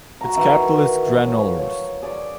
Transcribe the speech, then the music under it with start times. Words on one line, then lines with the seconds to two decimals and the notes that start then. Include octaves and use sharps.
Its capital is Granollers.
0.21 F#4 A#5
0.36 D#3 E3 E4
1.06 E3
1.22 F3 C#5
1.59 C#5
2.02 G#4 D5